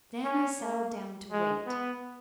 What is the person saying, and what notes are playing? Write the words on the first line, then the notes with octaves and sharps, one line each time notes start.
Then I settled down to wait.
C#4
A#3
G#3
B3